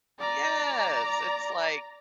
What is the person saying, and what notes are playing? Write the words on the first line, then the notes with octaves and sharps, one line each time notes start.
Yes, it's like
D5 A#5